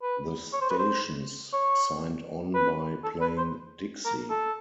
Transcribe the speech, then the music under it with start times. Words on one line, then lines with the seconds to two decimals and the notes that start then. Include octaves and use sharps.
The stations signed on by playing Dixie.
0.02 B4
0.53 C#5
0.61 C5
0.70 B4
0.79 C5
1.53 C#5
2.54 B4
3.04 A4
3.21 B4
3.38 C5
4.05 A#4
4.30 A4